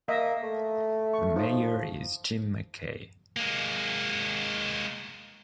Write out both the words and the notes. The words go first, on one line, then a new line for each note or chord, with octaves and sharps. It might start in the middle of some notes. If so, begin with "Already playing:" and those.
The mayor is Jim McKay.
A#3 D#5 E5
A3
C#6
F3 D#4
G#3 A#3